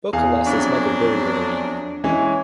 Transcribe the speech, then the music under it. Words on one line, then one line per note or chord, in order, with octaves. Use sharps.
Boka lost his mother very early.
E2 G#4 F5
F2 F#3 D4
E3 G#3 C#4